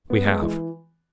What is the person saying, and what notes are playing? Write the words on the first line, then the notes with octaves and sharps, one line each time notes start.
"We have."
B3
G#3
E3